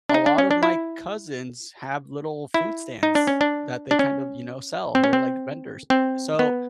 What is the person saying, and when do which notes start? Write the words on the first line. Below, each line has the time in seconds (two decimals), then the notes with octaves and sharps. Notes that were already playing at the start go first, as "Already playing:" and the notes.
a lot of my cousins have little food stands that they kind of, you know, sell; they're like vendors. So
0.09 D4
0.14 D#4
0.26 D4
0.38 C#4
0.51 D4
0.63 E4
2.54 E4
3.03 D#4
3.15 D4
3.27 C#4
3.41 D4
3.91 D4
3.99 C#4
4.95 C4
5.04 C#4
5.13 C4
5.90 C4
6.39 B3